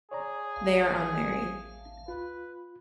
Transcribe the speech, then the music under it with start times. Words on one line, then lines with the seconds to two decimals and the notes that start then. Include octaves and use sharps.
They are unmarried.
0.11 G#4 C#5 D5 A#5
0.56 A1 D2 F5
2.08 F4 B4